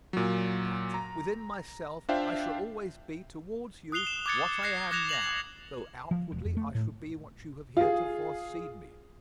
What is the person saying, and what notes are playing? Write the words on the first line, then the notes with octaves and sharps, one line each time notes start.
But, within myself, I shall always be, towards you, what I am now, though outwardly I shall be what you have heretofore seen me.
A#2 F#3
A#5
D4 F4 C5 E5 F5 G5
D#6 F#6 C7 F7 G7
E7
D6 F#6 G#6 A6 C#7
F#6 G#6 A#6 C7
D6 F#6 G#6 A#6 E7 F7
A#6 F7 F#7
F3
E1
F2
A3
A2
F4 G#4